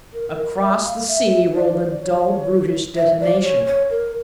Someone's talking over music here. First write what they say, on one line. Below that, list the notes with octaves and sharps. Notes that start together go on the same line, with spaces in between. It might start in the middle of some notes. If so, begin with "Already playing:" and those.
Across the sea rolled a dull, brutish detonation.
A#4
A#4
E5
F5
E5
D5
C#5
E5
D5
C#5
C#5
A#4